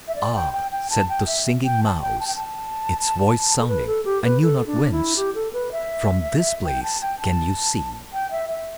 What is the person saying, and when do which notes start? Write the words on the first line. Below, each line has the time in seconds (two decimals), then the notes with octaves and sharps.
"Ah," said the Singing Mouse, its voice sounding I knew not whence; "from this place can you see?"
0.08 E5
0.16 D5
0.35 G5
0.53 G5
0.71 G5
0.90 A5
1.09 G5
1.27 E5
1.64 G5
1.83 A5
2.02 G5
2.20 A5
2.27 G5
2.35 A5
3.59 A4
3.68 B4
3.87 A4
4.05 G4
4.24 B4
4.42 A4
4.67 D4
4.91 E4
5.16 G4
5.35 A4
5.53 B4
5.72 E5
6.64 G5
6.83 A5
7.01 G5
7.20 A5
8.13 G5
8.31 E5
8.49 E5